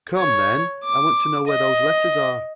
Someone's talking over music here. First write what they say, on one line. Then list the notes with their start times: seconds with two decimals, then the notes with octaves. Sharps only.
Come, then, I want to know where those letters are.
0.17 C#5
0.84 D6
1.47 D#5